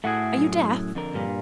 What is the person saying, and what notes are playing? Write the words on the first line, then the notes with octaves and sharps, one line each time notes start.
"Are you deaf?"
A2 A3 F#4 G#4 F#5
F#2
F2 D3 A#4
G2 A#2